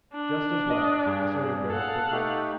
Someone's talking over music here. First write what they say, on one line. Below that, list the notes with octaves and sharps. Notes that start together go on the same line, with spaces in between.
"Just as well," asserted Beryl, quickly.
D4
D#5
G2 G#4
A4 F5 F#5
A3 D#4 G4